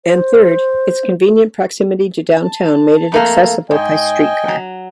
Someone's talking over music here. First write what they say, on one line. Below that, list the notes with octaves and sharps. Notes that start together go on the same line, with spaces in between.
And third, its convenient proximity to downtown made it accessible by streetcar.
C5
A5
F2 A3 A#3
G#2 D#5 G5 G#5
F#3